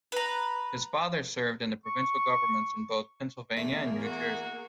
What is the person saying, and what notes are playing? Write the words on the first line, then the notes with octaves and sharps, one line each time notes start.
His father served in the provincial governments in both Pennsylvania and New Jersey.
B4 A#5
C#6
E2 A3 A#3 G#4 A#4
F#4